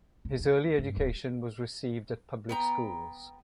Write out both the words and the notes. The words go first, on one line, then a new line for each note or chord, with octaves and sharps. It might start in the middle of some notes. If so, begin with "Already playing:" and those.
His early education was received at public schools.
D#1
D2
G2
D1
B3 G5 A#5